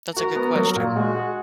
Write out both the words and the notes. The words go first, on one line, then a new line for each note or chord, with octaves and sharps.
That's a good question.
F#4 A#4
B3
F#3
A#2
G#3 F#4
G#4